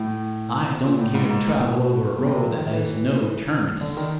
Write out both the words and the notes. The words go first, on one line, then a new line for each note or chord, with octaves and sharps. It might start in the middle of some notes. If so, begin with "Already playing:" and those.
I don't care to travel over a road that has no terminus.
Already playing: A2
A#2
A2
G#2
G#2
A2
B2
C3
F3
D#3
E3
D3
D#3